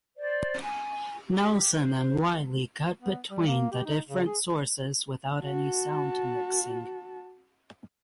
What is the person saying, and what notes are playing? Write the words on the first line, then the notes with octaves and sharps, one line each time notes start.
Nelson and Wiley cut between the different sources without any sound mixing.
C5 D5
G#5
G4
C5
B3
G3
A#3
G4
D#4
C#3
G#4
F#4 A5